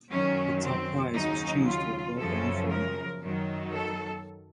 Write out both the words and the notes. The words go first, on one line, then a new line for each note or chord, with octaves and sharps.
The top prize was changed to a rolldown format.
F#2 D#3 F#3 C#4
C4
D#2 C#3 F#3 D#4
F4
F#2 C#3 F3 A4
A#4
F#2 D#3 F#3
A4